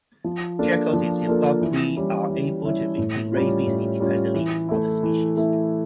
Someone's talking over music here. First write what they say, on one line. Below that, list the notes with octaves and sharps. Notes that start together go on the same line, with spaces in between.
Jackals in Zimbabwe are able to maintain rabies independently of other species.
F3
A#3 D4 F4 A4
F3
A#3 D4 F4 A4
E3
G3 C#4 E4
E3
G3 C#4 E4
A2
G3 C#4 F4
A2
G3 C#4 F4
E3
A3 E4
E3
A3 E4